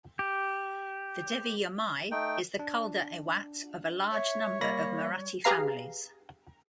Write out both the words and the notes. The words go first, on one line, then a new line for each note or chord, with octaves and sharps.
The Devi Yamai is the kuldaiwat of a large number of Marathi families.
G4
A3 D#4 G5
D4
C#5 E5
G3 A#3 B5 A#6
G4 G#4 B4 F5 A#5 C7